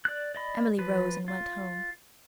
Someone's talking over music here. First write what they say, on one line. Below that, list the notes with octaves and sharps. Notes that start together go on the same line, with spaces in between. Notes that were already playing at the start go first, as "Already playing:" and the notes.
Emily rose and went home.
D5 F#6
D5 D#5 B5
F3 B4
F4